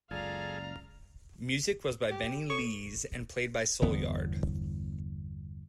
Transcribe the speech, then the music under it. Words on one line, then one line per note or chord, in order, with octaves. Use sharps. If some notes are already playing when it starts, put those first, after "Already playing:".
Music was by Benni Lees, and played by Soulyard.
F#1 C#2 F4 G#4 A4 D5 F5 A#5
G4
A4 C#6
G1 E2 B3